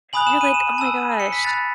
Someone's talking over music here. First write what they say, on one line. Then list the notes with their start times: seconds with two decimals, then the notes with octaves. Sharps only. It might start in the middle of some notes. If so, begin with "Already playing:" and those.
You're, like, "Oh my gosh."
0.13 G#5 B5 D#6 F#6 F#7
0.27 E7
0.41 D#7
0.54 E7
0.78 A5 E6
1.20 C#7
1.32 B6
1.44 B5 F#6 A6